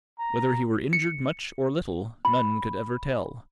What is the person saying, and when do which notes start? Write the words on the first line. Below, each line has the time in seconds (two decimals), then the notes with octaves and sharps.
Whether he were injured much or little, none could ever tell.
0.19 A#5
0.93 C#7
2.25 B5